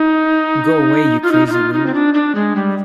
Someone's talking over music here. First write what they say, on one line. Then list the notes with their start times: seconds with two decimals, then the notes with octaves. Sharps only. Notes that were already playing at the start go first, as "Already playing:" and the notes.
Go away, you crazy loon!
Already playing: D#4
1.23 F4
1.32 D#4
1.47 D#4
1.52 F4
1.73 D#4
1.86 C4
1.94 D4
2.14 D4
2.35 G#3
2.56 G3